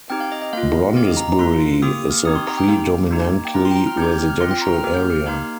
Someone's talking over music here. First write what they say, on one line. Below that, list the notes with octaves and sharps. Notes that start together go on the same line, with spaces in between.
Brondesbury is a predominantly residential area.
C4 D#4 G4 G5
F5
D#5
D#5
A#3 F4 F5
C4 G4 F5
D#5
A#5
A#5
A#3 F4 C6
A#3 G4 D#6
F6
C4 D#4 G4 D#6
C6
A#5
G5
A#3 G4 F5
A#3 D#4 G4
G5
C4 F4 A#5
C6
G5
A#5
F6
C4 D#4 G4 G6
G6
F6
F6
C4 F4 C6
G5
A#5
F6
A#3 G4 F6
G6
F6
F6
A#3 D#4 G4 F5